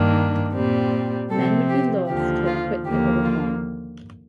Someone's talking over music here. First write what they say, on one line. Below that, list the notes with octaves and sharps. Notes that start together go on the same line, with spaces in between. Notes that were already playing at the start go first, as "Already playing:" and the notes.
Men would be loath to quit the old home.
Already playing: G2 D#3 A#3 D4
A#2 G3 C4
C3 F3 C4 A4
G4
D#2 D3 F3 G4
F4
D#2 D3 F3 A#3 G4
F4